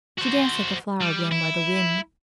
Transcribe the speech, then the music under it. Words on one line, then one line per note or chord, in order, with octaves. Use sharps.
She danced like a flower blown by the wind.
F#4 C5
G3
E4